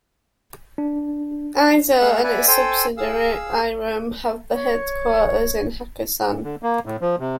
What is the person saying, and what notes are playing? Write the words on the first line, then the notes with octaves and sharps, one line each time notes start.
Eizo and its subsidiary, Irem, have their headquarters in Hakusan.
D4
A3 G#4 F5 F#5 E6
B4 D5 E5 F#5 G#5 B5
A4 C5 G5 G#5 E6
G#4 F5 E6
C#5
D3
A#3
A2
F3
C3